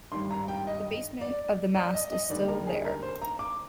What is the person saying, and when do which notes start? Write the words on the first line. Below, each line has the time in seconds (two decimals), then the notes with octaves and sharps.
The basement of the mast is still there.
0.12 G#1 G2 D#3 G3 C6
0.31 A#5
0.48 G5
0.67 D#5
1.21 D5
1.75 D5
1.94 D#5
2.12 D#5
2.30 D#2 D3 G3 D5
2.48 A#4
2.67 G#4
2.85 A#4
3.03 C5
3.22 A#5
3.39 D6